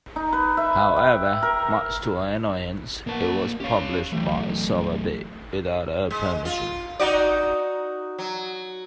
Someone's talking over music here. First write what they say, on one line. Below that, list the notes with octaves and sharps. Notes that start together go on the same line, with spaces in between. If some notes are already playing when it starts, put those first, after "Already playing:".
However, much to her annoyance, it was published by Sowerby without her permission.
D#4
B4
E5
G5
A#4
A#3 A#4 B4 F#5 A5
C#4 G4 C#5 F5
E3 F#3 A3 G4
G#3
F4
D#4 F#4 D5
F#3